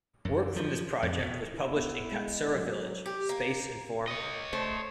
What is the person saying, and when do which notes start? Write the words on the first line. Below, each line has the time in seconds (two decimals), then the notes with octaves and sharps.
Work from this project was published in "Katsura Villa: Space and Form".
0.25 F#2
0.56 F3
1.03 F2
1.18 B2
1.54 E4
1.76 B3
2.12 G#3
2.56 F#3
3.06 G4
3.29 A#3
4.08 C#5 D#5
4.53 A3 C5